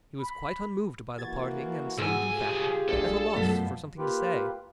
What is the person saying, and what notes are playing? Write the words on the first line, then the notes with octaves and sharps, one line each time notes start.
He was quite unmoved by the parting, and seemed, in fact, at a loss for something to say.
B5
E3 A#3 F#4 G#6 A6
C2 G#2 B3 F#4 G#4 G#5 E6
F4 G4 G#4
A#1 A3 D4 A4 D5 G#5
F#2 B2 F3 A3 B6
A#3 F4 G4 B4